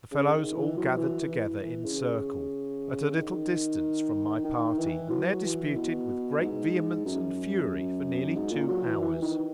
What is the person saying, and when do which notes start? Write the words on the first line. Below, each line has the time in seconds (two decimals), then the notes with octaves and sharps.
The fellows all gathered together in circle, at a little distance from my party, and there disputed with great vehemence and fury for nearly two hours.
0.12 C#3
0.32 D#3
0.54 E3
0.77 F#3
0.97 E3
1.20 E3
1.63 E3
1.84 C#3
3.15 D#3
4.44 D#3
4.78 E3
5.10 F#3
5.43 E3
5.75 B2
6.40 G#2
7.06 F#2
8.35 G#2
8.52 A#2
8.68 F#3
8.85 E3
9.01 E3
9.22 D#3